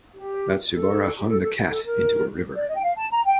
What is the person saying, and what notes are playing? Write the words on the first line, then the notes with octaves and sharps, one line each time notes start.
Matsubara hung the cat into a river.
G4
A4
G4
A4
A4
A4
A#4
D5
D#5
G5
F5
A5
A#5
G5